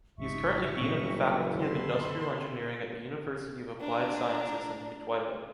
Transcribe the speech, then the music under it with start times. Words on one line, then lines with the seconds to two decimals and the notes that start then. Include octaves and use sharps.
He is currently Dean of the Faculty of Industrial Engineering at the University of Applied Sciences in Mittweida.
0.18 G#1 G#2 C#3 D#4 E5 C#6
0.81 F#1 A#2 G3
1.55 D3 C4 A4 B5 C6
3.81 D4 A#5